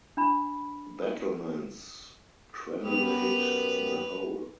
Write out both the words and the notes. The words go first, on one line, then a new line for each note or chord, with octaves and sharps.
Battlements crenellate the whole.
D4 B5
F#2 B3 G4 B4 F7